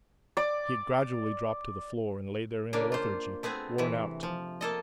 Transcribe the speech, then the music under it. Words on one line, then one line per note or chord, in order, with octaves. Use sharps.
He had gradually dropped to the floor, and lay there in a lethargy, worn out.
D5 D6
C#3 A#3 D4
F4 C5
A3 B3 C4 G#4
C3 E3
F3
A#3 A4 D#5